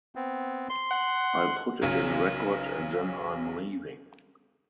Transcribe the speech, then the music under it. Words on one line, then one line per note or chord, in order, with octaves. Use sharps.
I'll put it in Record, and then I'm "leaving".
B3 C4
C6
F#5
B1 C#3 F#3